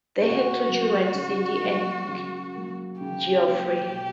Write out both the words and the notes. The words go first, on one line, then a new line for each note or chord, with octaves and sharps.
They had two children, Cindie and Geoffrey.
C#3 F#4
F#3 A#3
C#3
F#3 A#3
C#3
F#3 A#3
C#3 G4
F#3 A#3
B2